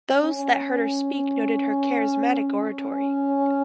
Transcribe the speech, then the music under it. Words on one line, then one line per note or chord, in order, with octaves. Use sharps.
Those that heard her speak noted her charismatic oratory.
C#4
C#4